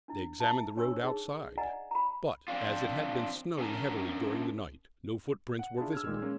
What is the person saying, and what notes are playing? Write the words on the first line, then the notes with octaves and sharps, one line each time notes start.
They examined the road outside, but, as it had been snowing heavily during the night, no footprints were visible.
D4 E4
E4 G4 E5 A5
D4 C#5 G#5 C#6 E6
D#4 G#4
D5 D#5 F#5 G#5 A#5
A#5 B5
C4 D4 F4
C#4 D4 A#4 F5 G#5 A#5
F#5
D4 E4 F4 G#4 A5
E6 F6 G#6
A#2 D#3 G#3
G#3 A#3 C#4